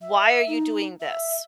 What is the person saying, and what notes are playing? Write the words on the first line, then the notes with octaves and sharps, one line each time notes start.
why are you doing this?
E5
E5
D#4
E5